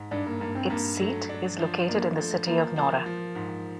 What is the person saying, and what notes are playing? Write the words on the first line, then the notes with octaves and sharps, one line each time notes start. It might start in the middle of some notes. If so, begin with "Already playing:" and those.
Its seat is located in the city of Nora.
Already playing: G#2
G2 D4
A#3
G2 A#3
C4
G2 A#3
F#3 A3
D4
F3
A#3 D4
F3 A3
F3 A#3
F3
F3
G#2